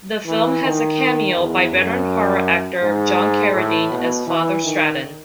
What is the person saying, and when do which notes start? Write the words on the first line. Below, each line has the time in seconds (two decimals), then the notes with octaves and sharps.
The film has a cameo by veteran horror actor John Carradine as Father Stratten.
0.25 E3
0.62 D#3
1.36 E2
1.72 F#2
2.81 G#2
3.53 A2
3.90 B2
4.26 E3
4.63 D#3